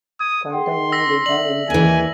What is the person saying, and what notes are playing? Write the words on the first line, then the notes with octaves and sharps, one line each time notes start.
Containment did not increase.
D#6 G#6
G#4 F#5 G5 C6
E6 A#6 B6
D5 E5 F#7
D#2 E3 G#5